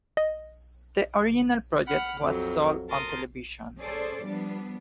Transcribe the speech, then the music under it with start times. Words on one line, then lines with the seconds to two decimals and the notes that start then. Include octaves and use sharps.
The original project was sold on television.
0.17 D#5
1.87 F#5 B5 F6
2.21 F2 F#3
2.89 A#4 A5 C6 D#6
3.80 C#4 G#4 A4 C5 D5
4.23 F3 G3 B3 D4